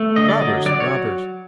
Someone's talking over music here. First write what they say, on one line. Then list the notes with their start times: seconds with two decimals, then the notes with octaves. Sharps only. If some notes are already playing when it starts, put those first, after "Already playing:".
Robbers! robbers!'
Already playing: A3
0.16 D3 D#5
0.29 D5
0.41 F#3 D#5
0.66 F#3 D5
0.80 C#5